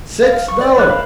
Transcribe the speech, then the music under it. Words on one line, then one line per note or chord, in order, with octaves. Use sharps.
"Six dollars."
F5
C#6
D5
F#3 C#5 F#6
A#4 C5 F5 B5